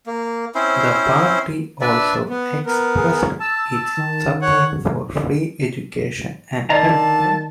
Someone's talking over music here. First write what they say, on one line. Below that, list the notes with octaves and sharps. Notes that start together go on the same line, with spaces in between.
The Party also expressed its support for free education and health care.
A#3
C4 C#4 E4 C5
D4 B4 D5 E5
B3
B3 A#4
G#4
A5 E6
D#3
C#5 F#5
D3 D#3 F4 D5 D#5 A5 A#5